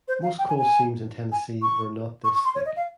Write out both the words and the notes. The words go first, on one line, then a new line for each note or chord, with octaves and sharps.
Most coal seams in Tennessee were not this thick.
C5
F5
G5
G#5
G#5
G#5
C#6
C#6
C#6
C6
C#5
D#5
F5